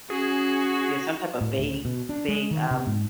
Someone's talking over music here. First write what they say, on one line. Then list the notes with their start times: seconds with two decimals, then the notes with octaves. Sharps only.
Yeah, some type of vague vague, um
0.10 C#4 F#4 G#4
1.41 A2
1.58 D2
1.85 B2
2.09 D4
2.28 G#3
2.51 D#3
2.71 C3
2.87 G#2